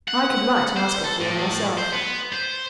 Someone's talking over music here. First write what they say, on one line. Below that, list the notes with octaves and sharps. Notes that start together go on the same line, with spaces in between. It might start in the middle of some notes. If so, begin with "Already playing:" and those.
"I could write and ask her for one myself."
F#5
C5
A4
A2
C5
B3
C5